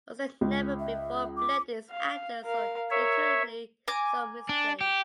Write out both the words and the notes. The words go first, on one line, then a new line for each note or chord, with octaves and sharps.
Huston never before blended his actors so intuitively, so musically.
C#2
E5
D6
F5
A#4 F5
A#4 C#5 E5
G#5 A#5 D6
D4
G4